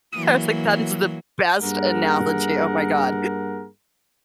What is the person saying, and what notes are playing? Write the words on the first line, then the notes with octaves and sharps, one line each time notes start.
I was like, "That is the best analogy." Oh my God.
E3 F#3 A#3
G2 A#3 G#4 A#4 F#5